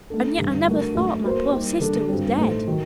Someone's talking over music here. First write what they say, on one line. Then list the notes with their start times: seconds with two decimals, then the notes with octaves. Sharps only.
And yet I never thought my poor sister was dead.
0.10 A3 D4 A4
0.38 G2 D3 G3
0.67 F#3 A3 D4 F#4 A#4
0.95 F#2 F#3 A3
1.23 F#3 A#3 F#4 C5
1.51 G3 A#3 D#4 G4
1.80 D3 G3 D4 A4
2.09 G2 F#3 C4
2.37 A2 A3 D#4 A4 C5
2.67 D#3 F#3